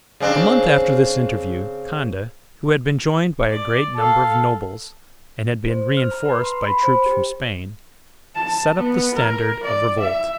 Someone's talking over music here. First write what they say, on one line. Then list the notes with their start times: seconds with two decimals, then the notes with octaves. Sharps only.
A month after this interview, Conde, who had been joined by a great number of nobles, and had been re-enforced by troops from Spain, set up the standard of revolt.
0.20 C#3 C4 D4
3.50 D5
3.95 A4 F5
5.68 C5
5.97 F6
6.11 A#5
6.25 B4
6.44 C6
6.64 B5
6.83 C5
7.06 G4
8.34 A5
8.76 B3
9.14 A#4
9.63 D5
10.00 E5